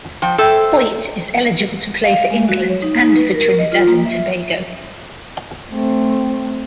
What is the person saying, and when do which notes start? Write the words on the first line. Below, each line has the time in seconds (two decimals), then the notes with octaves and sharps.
Hoyte is eligible to play for England and for Trinidad and Tobago.
0.22 F3 G5
0.38 A4 C5 E5 G5
2.04 F5
2.30 G#3
2.49 F#4
2.69 C#5
2.82 D#4
3.00 D#4
3.16 B4
3.34 A#4
3.59 D#5
3.72 F4
3.87 A#3
4.05 E5
5.72 A3 C4